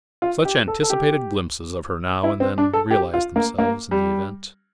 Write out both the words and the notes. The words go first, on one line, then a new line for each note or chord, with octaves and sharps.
Such anticipated glimpses of her now and then realized themselves in the event.
F4
G4
A4
A4
G4
E4
C4
D4
A4
G4
F4
A#3
A#3
G3